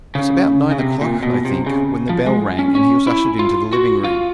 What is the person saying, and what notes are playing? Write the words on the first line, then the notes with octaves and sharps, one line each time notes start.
It was about nine o'clock, I think, when the bell rang and he was ushered into the living-room.
C#3
C#3
C3
A#2
B2
C3
C#3
F3
G#3
C#4
C#4
E4
F4
F#4
F4